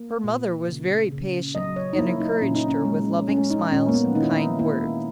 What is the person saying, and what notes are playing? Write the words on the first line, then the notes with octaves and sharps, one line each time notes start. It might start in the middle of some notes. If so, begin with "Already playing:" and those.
Her mother was very patient and encouraged her with loving smiles and kind words.
Already playing: A#3
A#2
C#3
C#3
F#3 D#5
C#5
D#4
A#3 E4
D#4
A#2 C#4
D#4
C#4
G#3
G#3 C#4
D#4
A#2 C#4
A#3
B3
D#3 D#4
E4
D#4
A#3 E4